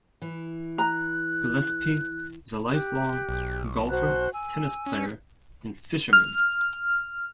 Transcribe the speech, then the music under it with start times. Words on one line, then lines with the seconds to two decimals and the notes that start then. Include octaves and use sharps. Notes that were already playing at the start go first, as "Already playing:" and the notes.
Gillespie is a lifelong golfer, tennis player, and fisherman.
0.22 E3
0.78 A#5 F#6
2.72 G4 F#6
3.29 B1
3.89 F#4 C5 F#6
4.33 G#5 E6
4.86 C#4
6.13 F6